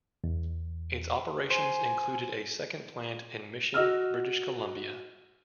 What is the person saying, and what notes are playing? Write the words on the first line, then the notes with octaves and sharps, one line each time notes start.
Its operations included a second plant in Mission, British Columbia.
E2
C5 G#5
F#4 D#5 E6 F6